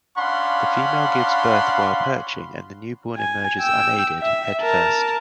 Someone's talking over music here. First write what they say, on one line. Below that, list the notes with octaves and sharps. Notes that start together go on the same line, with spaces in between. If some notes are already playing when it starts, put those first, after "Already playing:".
The female gives birth while perching and the newborn emerges unaided, head first.
C#4 D4 F5 F#5 B5 C6
G#5
G5 E6
E5
A#4 A5